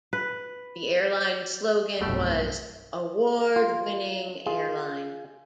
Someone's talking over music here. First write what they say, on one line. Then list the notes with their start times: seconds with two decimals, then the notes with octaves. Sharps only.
The airline's slogan was "Award-winning airline".
0.13 B4
2.01 F1 B1 G2 B2 A3 G4
3.56 F4
4.46 F4 G#4